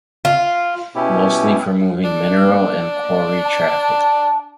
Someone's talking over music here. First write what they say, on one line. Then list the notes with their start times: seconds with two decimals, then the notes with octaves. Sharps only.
Mostly for moving mineral and quarry traffic.
0.25 F4
0.95 B2 B3 C#4 E4 G4
2.04 D4
3.44 A5